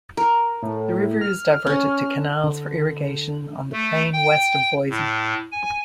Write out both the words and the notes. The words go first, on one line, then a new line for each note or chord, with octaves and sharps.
The river is diverted to canals for irrigation on the plain west of Boise.
A#4
A2
F6
C#4
D3
A3
G5
A2
G#5